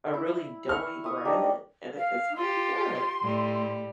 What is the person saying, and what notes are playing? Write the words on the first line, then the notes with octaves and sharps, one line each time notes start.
a really doughy bread, and it it's really good.
E4
E5 C#6 F6
E5 C#6 D#6
D4 D#4 G4
F5
F4 G4 C6
A2 G3